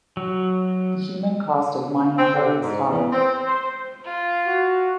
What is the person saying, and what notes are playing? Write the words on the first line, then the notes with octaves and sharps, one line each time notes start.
The human cost of mining coal was high.
F#3
C4
D3
G#2
E2
C4
C5
F4
F#4